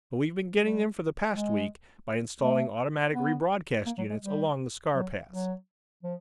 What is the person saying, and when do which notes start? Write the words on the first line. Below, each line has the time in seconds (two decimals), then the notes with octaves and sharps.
But we've been getting them for the past week by installing automatic re-broadcast units along the scar paths.
0.61 G3
1.33 G#3
2.42 A3
3.13 B3
3.86 A#3
3.98 F#3
4.10 G#3
4.22 G3
4.95 F#3
5.31 F#3
6.03 F3